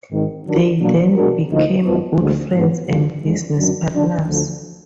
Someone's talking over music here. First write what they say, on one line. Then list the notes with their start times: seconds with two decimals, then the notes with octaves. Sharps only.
They then became good friends and business partners.
0.12 G#1 G#2 D#3
0.45 D#3 F#3 D4 F#4 A#4
0.80 B2 F#3 A#3 D4
1.15 B2 G#3 D4 F#4 A#4
1.50 D2 D3 F3 A#3 D#4
1.85 G#1 F#2 F3 B3
2.19 D2 D3 F3 G#3
2.53 G#2 F#3 B3
2.88 F#2 D#3 G#3 D4 F4
3.23 F2 D3 G#3
3.58 F#2 D#3 F#3 D4
3.93 D3 F#3 D4
4.27 D2 D3 F3